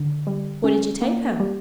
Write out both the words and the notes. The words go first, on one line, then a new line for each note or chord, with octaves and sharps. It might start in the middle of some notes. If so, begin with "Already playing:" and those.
'What did you take her?'
Already playing: D3
G3
C#4
A#3
G3